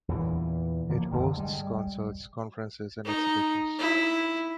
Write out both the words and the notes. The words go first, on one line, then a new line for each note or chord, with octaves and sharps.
It hosts concerts, conferences and exhibitions.
E2 A#2 E3
D3 F3 A#3
G2 D3 D#3
G3 G#3
D#4
E4